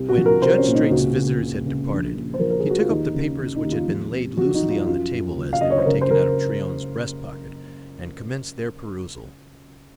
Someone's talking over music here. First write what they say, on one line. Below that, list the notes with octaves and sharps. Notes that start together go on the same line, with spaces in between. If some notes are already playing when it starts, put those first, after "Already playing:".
When Judge Straight's visitors had departed, he took up the papers which had been laid loosely on the table as they were taken out of Tryon's breast-pocket, and commenced their perusal.
Already playing: C2
F#4
F3
A#4
C2 C5
C#4
A#2
D#4
C#2 F#4
C#2
C#2
C#2
A#1
A#1
C5
F3 A#4
A#4
F3 G#4
F#4
F4
D#2 D#4
C#3
C#3
D#4
D#2
F4
F3
C3
F3 F#4
D#4
F3
F4
F#2 F4
F#2
F#1
F5
F#1 D#5
C#5
C5
C#3 A#4
C5
C#3 A#4